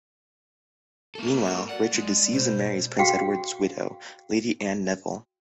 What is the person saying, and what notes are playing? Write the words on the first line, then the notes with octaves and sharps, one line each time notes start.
Meanwhile, Richard deceives and marries Prince Edward's widow Lady Anne Neville.
A#3 A4
F#4
D5 F#5
G#3
B2 C5
F#4 F5 G5